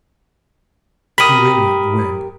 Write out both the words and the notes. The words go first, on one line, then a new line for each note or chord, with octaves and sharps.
It drew in on the web.
G4 A#4 B5 D#6